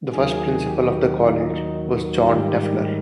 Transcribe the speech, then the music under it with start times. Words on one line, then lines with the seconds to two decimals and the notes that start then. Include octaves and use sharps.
The first principal of the college was John Telfer.
0.13 D#2 D#3 F#3 G#4
0.67 G4
1.21 D#4
2.28 G#2 D#3 G3 G4